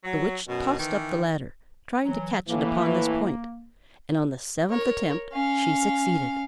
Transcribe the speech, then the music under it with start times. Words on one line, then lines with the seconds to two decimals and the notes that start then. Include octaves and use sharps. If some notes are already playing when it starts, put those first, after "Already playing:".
The Witch tossed up the ladder, trying to catch it upon this point, and on the seventh attempt she succeeded.
0.04 F#3
0.48 F#2 B2
0.79 D#3 E3
2.06 E3 F#3
2.48 A2 E3 A#3
4.69 A#4 C#5
5.33 C#4 F5